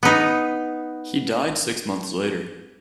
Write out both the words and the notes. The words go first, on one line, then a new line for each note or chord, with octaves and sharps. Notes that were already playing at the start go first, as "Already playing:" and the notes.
He died six months later.
B3 D#4